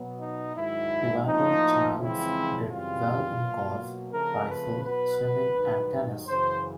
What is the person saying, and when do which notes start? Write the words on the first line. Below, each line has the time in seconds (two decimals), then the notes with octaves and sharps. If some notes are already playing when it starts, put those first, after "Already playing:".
Evander Childs did well in golf, rifle, swimming, and tennis.
Already playing: B2 F#3 B3
0.19 D#4
0.55 G#2 D#3 F#3 E4
1.26 A2 F3 A#3 D#4
1.98 F2 C#3 E3 G#3 C4 E4
2.69 F#2 C#3 E3 G3 C4 F4
3.41 B2 F#3 A#3
4.13 C#3 F3 A3 C4 A#4
4.48 B4
4.83 B2 F#3 B3 B4
5.56 G2 D#3 F#3
6.27 F#2 C#3 E3 C5